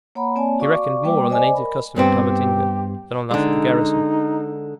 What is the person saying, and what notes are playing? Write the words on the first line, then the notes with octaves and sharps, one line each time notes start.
He reckoned more on the native custom of Tabatinga than on that of the garrison.
A#3 C#5 F#5 A#5 B5
A#3 C4 C#5 D5 G#5 A5
F#4 D5 F5 C#6 D6
G3 A#3 B4 G5 D6
C5 D5 D#5 G#5 D6
A#4 B5
G2 B3 C4 G4
D3 G#3 D#4